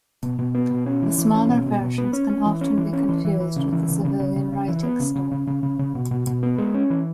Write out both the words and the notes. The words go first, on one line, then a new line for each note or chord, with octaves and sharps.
The smaller versions can often be confused with the civilian writing slope.
B2
B2
B3
B2
C#4
E3
E3
C#4
B2
B2
B2
B3
C#4
C#4
E3
C#4
E3
C#4
E3
E3
E3
C#3
E3
C#3
C#3
C#3
C#3
C#3
E3
B3
C#3
C#3
C#3
C#3
C#3
C#3
B2
B2
B2
B3
G#3
C#4
E3